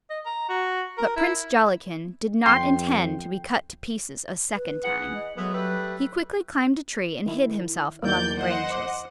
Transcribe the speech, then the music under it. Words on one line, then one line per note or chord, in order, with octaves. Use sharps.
But Prince Jollikin did not intend to be cut to pieces a second time. He quickly climbed a tree and hid himself among the branches.
D#5
A#5
F#4
A#4
E4
F2 G5 C6
B4
E3 G#4 F#5
D#5
F#3 G#3 A3 B3
G3 A3 B4
D#3 E4
E2 D#3 F#3 A#3 D5 G6
C5 D#5 F#5
C6 D6